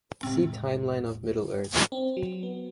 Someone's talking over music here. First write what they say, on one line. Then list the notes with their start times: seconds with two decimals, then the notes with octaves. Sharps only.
See Timeline of Middle-earth.
0.23 E1 A2 C3 G#3 C4
1.92 C4
2.17 F#3
2.43 B3